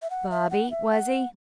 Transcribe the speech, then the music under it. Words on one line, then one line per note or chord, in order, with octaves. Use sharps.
"Bobby, was he?"
E5
F#5
E5
F#5
E5
F#5